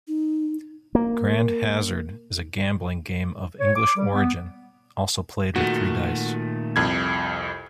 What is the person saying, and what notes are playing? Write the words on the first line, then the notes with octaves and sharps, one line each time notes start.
Grand Hazard is a gambling game of English origin, also played with three dice.
D#4
A#3
C#5
D6
G3
B3
A#2 D#3 A3 F#4
C2 F2 G#6